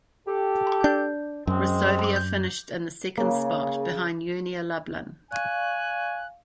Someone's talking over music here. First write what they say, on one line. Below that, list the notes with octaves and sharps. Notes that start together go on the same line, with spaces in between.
Resovia finished in the second spot, behind Unia Lublin.
G4 A4
D4
F#2 G#3 C4
C#3 A#3
D5 F5 G#5 C#6 F#6